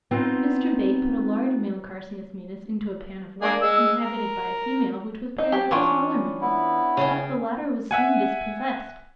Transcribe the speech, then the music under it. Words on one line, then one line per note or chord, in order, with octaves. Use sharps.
Mr. Bate put a large male Carcinus maenas into a pan of water, inhabited by a female which was paired with a smaller male; but the latter was soon dispossessed.
B3 C4 D#4 F4
A#3 D4 G#4
G#3 E6
A#4
D#4
F#3 G4
E3 C#4 D4 F4 G5
B3 E4
C#3 C#4 G#4 G5
E5 F#5 G#5